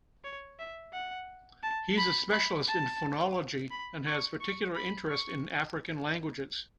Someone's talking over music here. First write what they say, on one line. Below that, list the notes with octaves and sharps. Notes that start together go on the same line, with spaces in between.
He is a specialist in phonology, and has particular interest in African languages.
C#5
E5
F#5
A5
B5
B5
A5
B5
C#6
C#6
B5
C#6